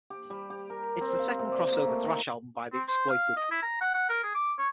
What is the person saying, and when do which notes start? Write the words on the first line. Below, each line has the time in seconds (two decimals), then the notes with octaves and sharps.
It's the second crossover thrash album by The Exploited.
0.10 G4
0.30 G3
0.50 G4
0.70 A#4
1.01 C4
1.19 F5
1.39 C3
1.52 D5
1.72 A#3
1.87 A3
2.03 D#3
2.73 C4
2.88 C5
3.09 F5
3.37 D#5
3.51 E4
3.63 A#5
3.81 F#5
3.94 F#5
4.09 A#4
4.23 G#4
4.35 D6
4.59 C#5